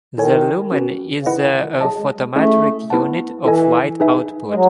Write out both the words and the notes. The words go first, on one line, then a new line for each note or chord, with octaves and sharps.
The lumen is the photometric unit of light output.
D#3 E4 A4 C#5 G#5
C#4 F#4 B4
C#3
D#3 E4 B4 D#5 F#5
D#3
D#3
F#3 G#4 D#5 A5
G#3
G#3
A3 C#4 E4 G#4 D#5
B3 E4 B4 F#5 A5
E3 E4 A4 D#5 G#5
D#4 G#4 B4 E5 G#5
G#3
F#3